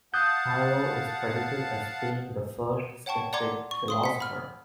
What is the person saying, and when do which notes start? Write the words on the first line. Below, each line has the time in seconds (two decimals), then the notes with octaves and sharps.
Pyrrho is credited as being the first Skeptic philosopher.
0.14 F5 F#5 A5 D#6 F#6 G6
3.06 C#5 F#5 G5 A5 C#6
3.33 D5 F#5 A#5 C6 D6 G#6
3.71 C#6
3.88 F5 C6 D#6
4.04 F#5 B6
4.20 B5 F6